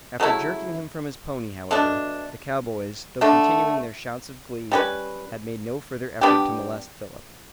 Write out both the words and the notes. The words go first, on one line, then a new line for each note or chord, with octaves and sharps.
After jerking him from his pony, however, the cowboys, though continuing their shouts of glee, had made no further effort to molest Philip.
C#3 F#3 A3 E4
B2 A3 D4
D3 A3 D4
G3 C#4 G4 B4
G3 B3 D4 G4